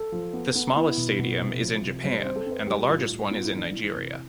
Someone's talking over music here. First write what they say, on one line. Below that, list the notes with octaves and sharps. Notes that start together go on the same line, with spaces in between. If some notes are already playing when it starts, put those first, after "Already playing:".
The smallest stadium is in Japan, and the largest one is in Nigeria.
Already playing: A4
F3
B3
B3
B3 E4
B2
B2
C3
F3
C3
G3 C5
C4 C5
A4
C4
B4
G3 G4
A2 F4
A2
B3 F4
E4
E3
D4
E3 E4
C3